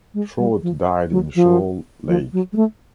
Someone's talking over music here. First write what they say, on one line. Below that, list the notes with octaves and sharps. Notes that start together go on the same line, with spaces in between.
Short died in Shoal Lake.
G#3
G3
F3
F#3
F3
F3
F#3
G#3
A3